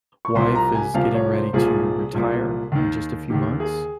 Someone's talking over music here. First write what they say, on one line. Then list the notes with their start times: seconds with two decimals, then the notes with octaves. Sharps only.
wife is getting ready to retire in just a few months,
0.25 C#6
0.35 C2 C3 F3 C6
0.55 A#5
0.75 G#5
0.94 C2 C3 F3 F5
1.14 C#5
1.34 C5
1.53 C2 A#2 F3 G#4
2.13 C2 A#2 F3
2.72 D#2 D#3
3.30 D#2 D#3 G4
3.60 G#4